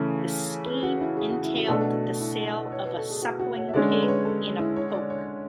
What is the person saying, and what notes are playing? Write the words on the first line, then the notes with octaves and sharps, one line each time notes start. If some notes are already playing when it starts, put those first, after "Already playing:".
The scheme entailed the sale of a suckling pig in a poke.
Already playing: C#3 E3 A3 C#4 G#4
B4
F#4
E4
G#4
F#4
E4
F#4
B2 A3 D4 A4
E4
C#5
B4
A4
G#4
F#4
F#4
C#5
E5
D3 G#3 C#4 D5
D5
B4
C#5
A4
G#4
E4
C#5
D5
C#5